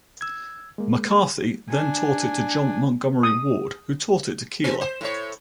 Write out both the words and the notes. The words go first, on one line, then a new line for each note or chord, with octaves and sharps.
McCarthy then taught it to John Montgomery Ward, who taught it to Keeler.
E6 G#6
G#3 A#3
D4 G#5
D#6
B3
C5
A2 C#5